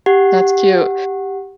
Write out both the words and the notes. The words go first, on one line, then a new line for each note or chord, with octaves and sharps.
That's cute.
G4 F#5